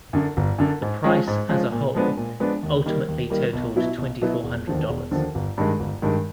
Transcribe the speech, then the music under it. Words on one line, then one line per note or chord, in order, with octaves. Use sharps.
The price as a whole ultimately totaled twenty-four hundred dollars.
F#2 D3
G1
F#2 D3
G#2
F3 G#3 C#4 F4
G#2
F3 G#3 C#4 F4
A#2
F3 G#3 B3 D4
A#2
F3 G#3 B3 D4
D#2
D#3 G3 A#3
D#2
D#3 G3 A#3
B1
B2 F#3 B3 E4
B1
B2 F#3 B3 E4
E1
D#2 D3 F3
E1
D#2 D3 F3
G1
G2 D#3 G#3
G1
G2 D#3 G#3